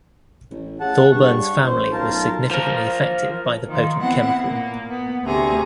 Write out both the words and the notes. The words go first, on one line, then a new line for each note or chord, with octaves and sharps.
Thorburn's family was significantly affected by the potent chemical.
A1
C#3 F#5 A5
G2 C#6
A1 C5
B1 F4 A#4 A5
F3 A#4
D#3 F3
B3 C4 E4 F#5
A#2 A#3
B3
D2 C3 G#4 A#5